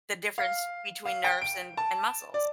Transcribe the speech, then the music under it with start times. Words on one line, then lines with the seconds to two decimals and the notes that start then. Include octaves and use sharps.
the difference between nerves and and muscles.
0.38 F5
1.05 F5
1.24 G5
1.42 D7
1.77 A5
2.34 D5